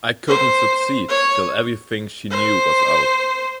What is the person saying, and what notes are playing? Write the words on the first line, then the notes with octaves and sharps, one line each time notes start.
I couldn’t succeed till everything she knew was out.
C5
C#5
C5